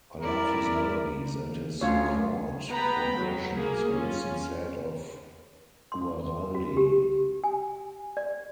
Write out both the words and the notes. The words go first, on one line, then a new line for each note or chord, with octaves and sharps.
"I love his melodies and his chord progressions", Winston said of Guaraldi.
E4 A#4 D5
D2 C#4 F4 C#5
B3 G5 A#5 B5
F#3
A#3 G#4
C#4 F4
C6
F#4
G4
G#5
D5